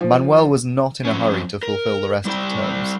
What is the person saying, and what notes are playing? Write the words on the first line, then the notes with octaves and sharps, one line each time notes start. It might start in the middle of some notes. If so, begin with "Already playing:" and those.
Manuel was not in a hurry to fulfill the rest of the terms.
F3
F2 C#4
A#4
G3 E4 D5 G5